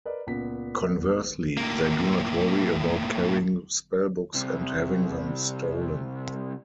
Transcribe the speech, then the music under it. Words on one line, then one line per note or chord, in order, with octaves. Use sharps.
Conversely, they do not worry about carrying spell books and having them stolen.
A#4 B4 D5 D#5
C#2 A#2 B3 B6
A2 A#3
C2 C3